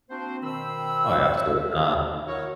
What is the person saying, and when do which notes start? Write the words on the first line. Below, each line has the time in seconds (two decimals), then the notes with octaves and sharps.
Oh, yeah, absolutely not.
0.10 A#3 C4 D4 F#4 C5
0.43 B2 D#3 C5 G5 B5 E6
2.27 E4 F#4 A#4 C#5